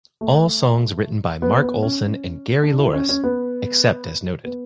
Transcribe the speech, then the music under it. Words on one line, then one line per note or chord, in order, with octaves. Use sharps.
All songs written by Mark Olson and Gary Louris except as noted.
A3
B3
B3
C#4
C#4
D4
E4
C#4
C#4
B3
B3